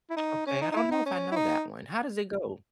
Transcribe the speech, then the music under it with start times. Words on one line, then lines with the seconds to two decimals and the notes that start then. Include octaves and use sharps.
Okay, I don't know if I know that one. How does it go?
0.10 E4
0.17 D#4
0.46 C#4
0.62 D#4
0.72 D#4
0.76 E4
0.91 D#4
1.06 C#4
1.32 E4
1.36 D#4